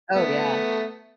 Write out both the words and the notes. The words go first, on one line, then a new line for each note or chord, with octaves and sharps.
Oh, yeah.
A3 B3